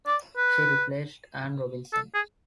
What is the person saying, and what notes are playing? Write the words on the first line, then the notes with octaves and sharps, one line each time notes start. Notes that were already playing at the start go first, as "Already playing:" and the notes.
She replaced Anne Robinson.
D5
B4
A4
G#4